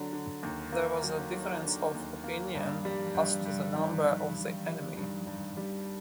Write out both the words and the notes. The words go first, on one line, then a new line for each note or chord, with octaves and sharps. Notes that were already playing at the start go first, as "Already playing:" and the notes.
There was a difference of opinion as to the number of the enemy.
Already playing: D3 F#3
D3
D#2
A#3
F#3
F#3
D3
D#2
A#3
G2
G3
G2
G2
D#3
D#3
G2
G3
G2
G2
G3